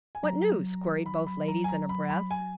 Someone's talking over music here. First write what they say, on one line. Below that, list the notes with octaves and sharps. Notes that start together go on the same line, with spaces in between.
"What news?" queried both ladies in a breath.
G#5
F#3 A#5
B5
B5
A#5
G#5
A#5
B5
B5
G#5